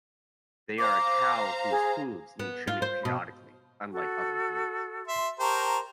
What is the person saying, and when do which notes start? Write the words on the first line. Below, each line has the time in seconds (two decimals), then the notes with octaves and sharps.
They are a cow whose hooves need trimming periodically, unlike other breeds.
0.78 C5 F5 A#5 D6
1.71 G#4
2.40 B3
2.67 F4
2.82 C5
3.05 B2
3.91 F#4 A4
5.07 E5 C6
5.40 G4 A#4 C5 A5 A#5 C#6